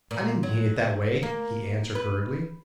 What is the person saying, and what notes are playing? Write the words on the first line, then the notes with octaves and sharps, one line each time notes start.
'I didn't mean it that way,' he answered hurriedly.
A#2
F#3
A#3
B4